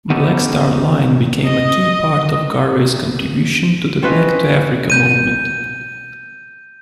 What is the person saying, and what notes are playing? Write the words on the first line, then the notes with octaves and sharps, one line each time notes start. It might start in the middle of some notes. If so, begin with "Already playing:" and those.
Black Star Line became a key part of Garvey's contribution to the Back-to-Africa movement.
D#3 B3 C#4 D#4 G4 A4
D#5
C4 C#4 F4 B4 D#5 F5
G6 D#7